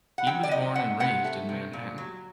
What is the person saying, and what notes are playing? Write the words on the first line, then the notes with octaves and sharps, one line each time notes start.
He was born and raised in Manhattan.
F#5
F#3 G5
D5
C3 D#5
C3 F#5
C3 F#5
A3
C3
A#2
F#3